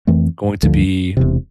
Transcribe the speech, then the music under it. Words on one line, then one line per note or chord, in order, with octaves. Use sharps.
going to be
F2 E3 A3 C4
D2 D3 F3
E1 E2 C3